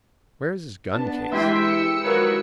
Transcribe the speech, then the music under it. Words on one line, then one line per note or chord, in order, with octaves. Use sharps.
Where is his guncase?
B3 D4 A5
E3 G#3 E4 G4 E5 G5 C6
E6 C#7
D#3 F3 F#3 F#4 A#4 B4